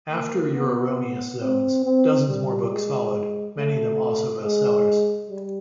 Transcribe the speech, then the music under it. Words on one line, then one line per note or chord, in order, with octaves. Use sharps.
After "Your Erroneous Zones" dozens more books followed, many of them also best-sellers.
A#3
B3
C4
C4
G3
G#3
A3
G#3
G3